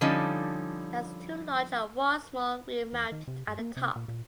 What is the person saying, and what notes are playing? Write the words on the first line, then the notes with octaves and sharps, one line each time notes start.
It has two large and one small wheel mounted at the top.
D3 F3 G3 C#4 D#4
E2
D#3
C3
G2
A#3
C3
A#2
A#2